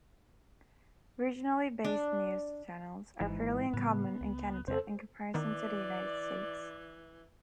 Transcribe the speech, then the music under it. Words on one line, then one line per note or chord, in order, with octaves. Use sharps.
Regionally-based news channels are fairly uncommon in Canada in comparison to the United States.
D4
G#1 G#2 E3
A2 C#3 G3 B3
C#2
E2 C3 C4 A4 C5
D#3 E3 B3 D5